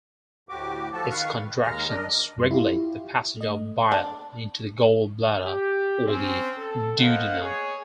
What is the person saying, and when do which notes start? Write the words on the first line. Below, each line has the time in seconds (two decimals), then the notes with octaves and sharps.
Its contractions regulate the passage of bile into the gall bladder or the duodenum.
0.49 D2 A2 F#4 G4 D6
0.93 F3 F#4 A4 A5
1.10 D#3 B4 F5 C#6
1.44 B4
1.63 D#2 D#3 G#3 A#5 F6
1.89 D4 A#4 D#5
2.38 F#2 G3 C6
2.51 E4 F4 G4
3.37 A3 D#5
3.92 D4
5.45 G4
6.06 C4 C#4
6.58 A4
6.99 A#3 B3 C5 D#5 F5 F#5
7.41 G#4 C#5